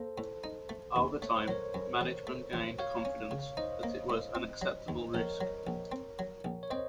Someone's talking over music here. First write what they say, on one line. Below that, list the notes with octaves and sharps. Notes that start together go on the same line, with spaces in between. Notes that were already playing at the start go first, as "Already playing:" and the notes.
Over time, management gained confidence that it was an acceptable risk.
Already playing: A#3 A4 C5
A2
D#4
A3
D#2
A3 C#5
C5
F#3 A#4 C#5
F#2
A1
A3
A1
F#4 C#5 F5
C#4
C#3
D#4 C5 D#5
A#3
A2
C4
F#3
D#2
A#1 A#4 C#5
F#3
A#1
C4
F#3
A#1
C#5
C4 C5 D#5